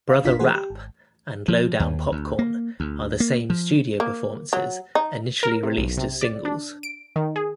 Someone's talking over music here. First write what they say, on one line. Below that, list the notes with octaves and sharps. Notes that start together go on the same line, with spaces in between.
"Brother Rapp" and "Lowdown Popcorn" are the same studio performances initially released as singles.
F5
G1 D4 F4 B6
E3 A3 A#3 F#4 G#4 C5
G4
G#1
F3
D#2
D2
A#3
D2
A#3
F3
A#3
F#3
D#4
A#4
C3
B1
C3
D5
D4
D7
D#3
G#4